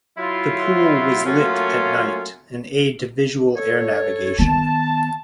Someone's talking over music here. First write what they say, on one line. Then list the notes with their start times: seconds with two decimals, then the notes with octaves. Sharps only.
The pool was lit at night - an aid to visual air navigation.
0.18 F#3 E4 F4
1.25 F#3 A3 A#3 C#4 F4
3.56 A4 C#5
4.39 D#3 B3 A5